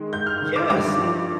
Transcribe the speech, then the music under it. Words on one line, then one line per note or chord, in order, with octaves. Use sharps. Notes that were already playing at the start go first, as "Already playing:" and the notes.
Yes, and
Already playing: D#3 G#3
G#2 G6
F6
D#3
D6
G2 D6
F3